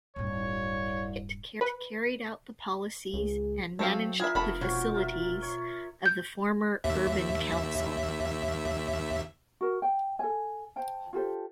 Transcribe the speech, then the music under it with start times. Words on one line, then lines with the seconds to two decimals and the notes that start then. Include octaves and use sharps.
It carried out the policies and managed the facilities of the former Urban Council.
0.16 D1 C2 G2 C#5
1.61 B4
3.14 C#2 G#4
3.79 F#3 A3 C4 F5
4.20 E4 F4 G#4 A#4 E5
4.35 F1 A3 B3 B5
4.61 B2 F4 F#4 C5 C#5
4.94 F4 A#4 E5
5.42 C#5
6.06 G6
6.84 D#2 E5
9.61 F#4 A#4
9.82 G5
10.19 A4 G#5
10.76 C5 G5 A5
11.13 F4 G4 A4 C5